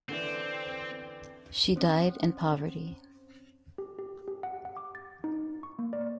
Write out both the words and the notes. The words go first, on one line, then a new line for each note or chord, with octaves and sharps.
She died in poverty.
D3 E3 C4 D4
C4 C#4 C5
G4
G4
G4
F#5
F#5
D6
A6
D#4
C#6
A#3
D5